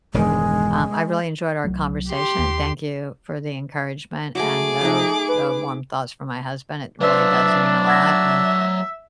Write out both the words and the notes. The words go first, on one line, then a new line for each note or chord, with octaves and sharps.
um, I really enjoyed our conversation, and thank you for the encouragement and the the warm thoughts for my husband it really does mean a lot and
E1 G2 D#3 G#3
C2 F#3 A3
G4 C6
D#2
F#3 G#3 A3 G#4 D6
F3 A3 D#4
B4
F#3 D4 B4 C5 D5 E5
E5 F#5 G#6 A#6